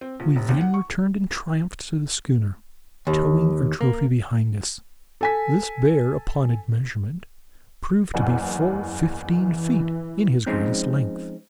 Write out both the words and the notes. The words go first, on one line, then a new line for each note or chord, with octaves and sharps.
We then returned in triumph to the schooner, towing our trophy behind us. This bear, upon admeasurement, proved to be full fifteen feet in his greatest length.
C4
A#1
F1
D#2
F#5
C#6
D#2
A#3
A4 G#5 B6
F#1 E2
E3
F3 G#3 C4 C#4 D#4